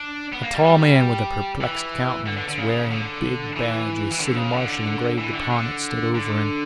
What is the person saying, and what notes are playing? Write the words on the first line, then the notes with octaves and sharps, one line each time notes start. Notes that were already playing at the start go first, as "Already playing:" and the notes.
A tall man with a perplexed countenance, wearing a big badge with "City Marshal" engraved upon it, stood over him.
Already playing: D4
B3
A#3
G3
G3
E3
D3
D3
D3
C#3
D3
E3
E3
D3
C#3
D3
E3
D3
D3
D3